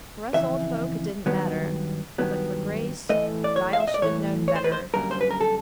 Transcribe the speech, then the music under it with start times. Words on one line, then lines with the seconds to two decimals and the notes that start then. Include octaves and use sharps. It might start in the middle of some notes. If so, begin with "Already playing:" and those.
"For us old folk it didn't matter; but for Grace--Giles should have known better!"
0.34 F2 C#3 E3 E5
1.26 G2 D#3 F#3 B3
2.18 G2 D#3 F#3 B3
3.10 A2 E3 A3 D#5
3.44 D5
3.56 C#5
3.73 F5
3.80 E5
3.88 D#5
3.94 D5
4.02 A2 E3 A3 C#5
4.48 C#5
4.56 C5
4.64 B4
4.72 C5
4.94 F#2 D3 G3 A#3 A#4
5.11 C5
5.21 B4
5.31 A#4
5.41 A4